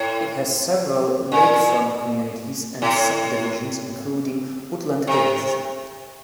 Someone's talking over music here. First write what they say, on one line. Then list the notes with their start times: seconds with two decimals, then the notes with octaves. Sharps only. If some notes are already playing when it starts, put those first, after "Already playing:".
It has several lakefront communities and subdivisions, including Woodland Hills.
Already playing: A2
1.32 A#2
2.82 A2
5.07 C3